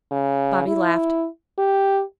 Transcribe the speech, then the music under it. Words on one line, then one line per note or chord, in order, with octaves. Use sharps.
Bobby laughed.
C#3
E4
G4